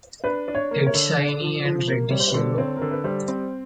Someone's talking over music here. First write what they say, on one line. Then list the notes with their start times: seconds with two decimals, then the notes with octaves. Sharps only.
Head shiny and reddish yellow.
0.24 D4 B4
0.48 D4
0.55 C#5
0.71 A#3
0.87 C#5
0.94 D3
1.17 D4
1.41 F3
1.65 F3
1.88 A#3
2.10 G3 C#5
2.20 C5
2.28 B4
2.34 D3 C5
2.58 C4 C#5
2.77 D3 A#4
2.91 B4
3.04 G3 C5
3.28 C4